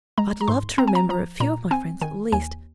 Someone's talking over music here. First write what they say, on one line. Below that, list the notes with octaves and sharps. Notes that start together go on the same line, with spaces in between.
I'd love to remember a few of my friends at least.
G#3 A#5
A#5
G#2 C6
C4 A#5
G#5
A#5
F3 A#5
A#2 A#5
C4 G#5
D#3 G#5
D#2 G#5